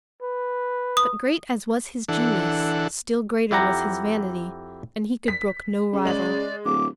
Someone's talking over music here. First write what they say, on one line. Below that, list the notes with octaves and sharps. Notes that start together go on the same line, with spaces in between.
But great as was his genius, still greater was his vanity, and he could brook no rival.
B4
D#6
E3 D4 A4 F#5
F2 E4 G4 F#5 A#5
B6
C#3
G#3 D5 F#7
D1 D6